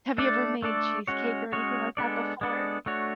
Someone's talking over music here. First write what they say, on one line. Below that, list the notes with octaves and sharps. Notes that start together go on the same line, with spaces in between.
Have you ever made cheesecake or anything like that before?
A3 D4 A4 D5
A3 D4 A4 D5
G#3 C#4 F#4 C#5
G#3 C#4 F#4 C#5
G#3 B3 D4 A4 D5
G#3 B3 D4 A4 D5
A3 D4 F#4 C#5